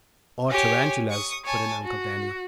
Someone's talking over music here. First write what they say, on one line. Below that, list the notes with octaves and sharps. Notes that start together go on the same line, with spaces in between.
"Or tarantulas," put in Uncle Daniel.
G4 C#5 G#5
C#6 D#6
C#5 G#5 A5
F#4